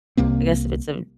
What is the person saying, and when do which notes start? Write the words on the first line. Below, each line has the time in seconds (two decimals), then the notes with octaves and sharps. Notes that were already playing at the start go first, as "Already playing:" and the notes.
I guess if it's a
0.17 C2 C3 A#3 C4